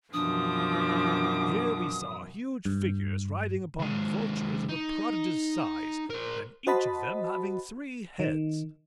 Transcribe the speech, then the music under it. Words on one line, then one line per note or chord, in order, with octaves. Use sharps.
Here we saw huge figures riding upon vultures of a prodigious size, and each of them having three heads.
F#2 B2 E3 F3 D4 D6 D#6
G2
D#2 G#3
D#4
A#4 C5
F#4 C5 D#5 A5 B5
D#3